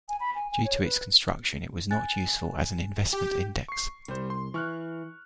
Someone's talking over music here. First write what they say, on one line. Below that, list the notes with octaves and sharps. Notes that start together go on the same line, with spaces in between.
Due to its construction it was not useful as an investment index.
G#5
B5
G#5
G#5
C#5
B4
G#5 F#6 A6
G4
C#6 C7
C2 G3 C5
C6
E3 C#6 F6 F#6